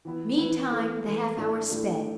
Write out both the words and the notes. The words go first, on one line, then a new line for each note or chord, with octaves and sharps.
Meantime, the half-hour sped.
E3 B3 E4
E3 B3 E4
E3 A3 E4
E3 A3 E4
A2 A3 D4
A2 A3 D4